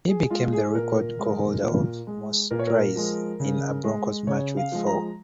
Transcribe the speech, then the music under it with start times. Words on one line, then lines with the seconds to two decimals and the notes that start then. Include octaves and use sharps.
He became the record co-holder of most tries in a Broncos match, with four.
0.08 G#4
0.30 G#3 F4
0.52 G#4
0.74 A#2 A#4
1.19 G#3
1.63 A#2
2.07 G#3
2.51 A#2 A#4
2.59 C#5
2.67 A#4
2.96 F3 G#3
3.40 C#3
3.84 G#3
4.27 C#3 C#5
4.57 F5
4.72 F3 G#3
4.87 A#5